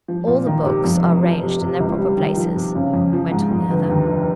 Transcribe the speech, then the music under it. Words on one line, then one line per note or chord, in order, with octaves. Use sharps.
"All the books are ranged in their proper places," went on the other.
F3
A#2
D#3
C3
F2
F1
F3
C3
C3
C#2
G3
D#3
F3
C3
C#3
F2
F3
G#2
F2
G1
D#2
F1